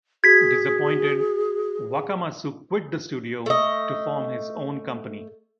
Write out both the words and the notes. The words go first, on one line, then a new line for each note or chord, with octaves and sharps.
Disappointed, Wakamatsu quit the studio to form his own company.
F#4 G#4 G#6 B6
A3 D#5